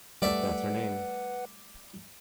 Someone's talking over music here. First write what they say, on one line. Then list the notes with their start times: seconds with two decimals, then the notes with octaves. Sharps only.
If that's her name.
0.22 G3 A3 B4 D5 E5 F#5